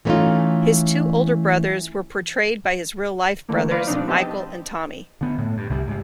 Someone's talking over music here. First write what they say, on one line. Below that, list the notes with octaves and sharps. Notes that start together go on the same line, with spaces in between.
His two older brothers were portrayed by his real-life brothers, Michael and Tommy.
E3 A3 B3 C#4 D#4 F4
D3 E3 A3 A#3
B4 C5 D5 F5
B2 F3 C4 D4 D#4
B3 C4 G4 D#5 A5
D3 B3
A2
G2
C2 C3 E3 G3
G#2 C3